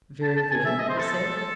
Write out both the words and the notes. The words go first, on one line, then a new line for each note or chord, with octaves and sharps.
Very good, he said.
A5
A5
G#5
E5
D#5
C5
A4
A4
A4